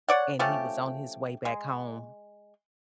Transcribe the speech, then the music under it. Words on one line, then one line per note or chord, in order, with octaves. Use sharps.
And he was on his way back home.
C#5 D5 F#5
F3 A3 C#4 G4
G#3